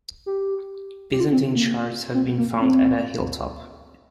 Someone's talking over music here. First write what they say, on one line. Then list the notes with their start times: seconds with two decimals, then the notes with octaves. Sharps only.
Byzantine shards have been found at a hilltop.
0.26 G4
1.12 G4
1.20 F4
1.32 C4
1.55 A#3
2.14 C4
2.38 A#3
2.61 C4